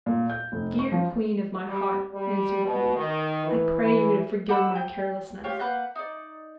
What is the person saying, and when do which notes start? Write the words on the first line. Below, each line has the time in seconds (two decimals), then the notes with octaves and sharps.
'Dear queen of my heart,' answered he, 'I pray you to forgive my carelessness.
0.06 A#2
0.30 G6
0.52 F1
0.79 C#6
0.92 F3
1.65 G3
2.13 G3
2.65 B2
2.95 D#3
3.45 E3
3.80 E3
4.49 G4 F#5 B5 E6
4.75 G5
5.44 F4 G4 C#5 G5
5.59 A#3 B4 F#5 G6
5.95 D#4 D5